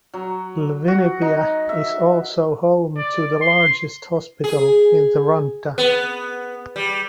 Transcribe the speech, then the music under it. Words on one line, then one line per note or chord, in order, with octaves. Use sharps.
Llwynypia is also home to the largest hospital in the Rhondda.
F#3
F#4
D#4
E5
D5
C6
G#4
B3
G3